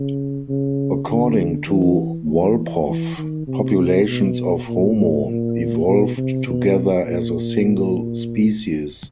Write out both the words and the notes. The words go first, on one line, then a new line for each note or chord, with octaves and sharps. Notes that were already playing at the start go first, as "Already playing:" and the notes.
According to Wolpoff, populations of "Homo" evolved together as a single species.
Already playing: C#3
C#3
D3
E3
E3
E3
D#3
C3
B2
A#2
A2
A#2
B2
C3
B2
A#2